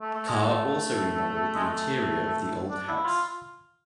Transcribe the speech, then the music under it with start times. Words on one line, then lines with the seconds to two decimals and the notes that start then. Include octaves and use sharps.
Carr also remodelled the interior of the old house.
0.01 A3
0.15 A3
0.28 G#3
0.42 A3
1.55 G#3
1.63 A3
2.70 D4
2.88 E4
3.05 F4